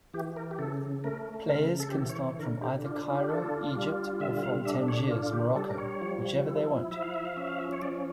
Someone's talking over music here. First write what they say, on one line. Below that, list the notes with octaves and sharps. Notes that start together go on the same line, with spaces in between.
Players can start from either Cairo, Egypt or from Tangiers, Morocco, whichever they want.
E3 G4
A#4
G4
C#3 A4
A3 A#4
C#3 A#4
A4
G4
E3 A4
C#5
D3 A#4
G4
D4 F4
F4
G4
F4 A4
G3
D3 E5
F5
D4 E5
C#5
F4
F4
G4
G3 A4
A#4
C#5
F3
E4
F3 E5
F5
E5
F5
C#4 E5
F5
E5
C#5
F3 D5